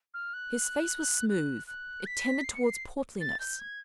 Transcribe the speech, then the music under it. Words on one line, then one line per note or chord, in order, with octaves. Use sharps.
His face was smooth; it tended towards portliness.
F6
F#6
F#6
F#6
B6
C7
C#7
C7
A6
G6
G#6